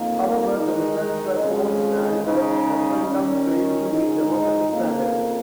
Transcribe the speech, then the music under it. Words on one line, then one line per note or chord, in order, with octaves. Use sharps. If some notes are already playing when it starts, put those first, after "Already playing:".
However, the results were forged and the referendum failed to meet democratic standards.
Already playing: F2 D#3 A#3
D#3 G#3 D#4
F2 C#3 G#3
C#3 G#3 D#4
D#3 C#4
G#2 G#3 D#4
F2 C#3 A#3